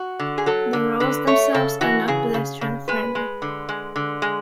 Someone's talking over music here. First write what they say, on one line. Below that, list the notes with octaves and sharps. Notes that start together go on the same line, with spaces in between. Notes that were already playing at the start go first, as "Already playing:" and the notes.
The roads themselves are not pedestrian-friendly.
Already playing: F#4
D3
G#4
F#3 A4
D3
D3 B4
A3 C#5
C#3 A4
E3 F#4
C#3 G#4
C#3
C#3
G#3 B4
G#3
D3
G#3
D3
G#3